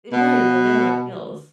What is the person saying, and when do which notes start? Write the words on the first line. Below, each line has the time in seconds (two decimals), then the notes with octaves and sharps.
Eh, right and I know how that feels.
0.13 B2